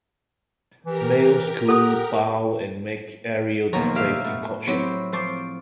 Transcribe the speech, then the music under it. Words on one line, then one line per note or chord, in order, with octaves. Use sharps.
Males coo, bow and make aerial displays in courtship.
E3 G4 A#4
A4 F#5 D#6
D#2 B2 F3 F#3 A#5 C#6
G4 E5 F5
A2 F#4
F#3 C4 E4 G4 C#5
F3 C5 A5 C#6 D6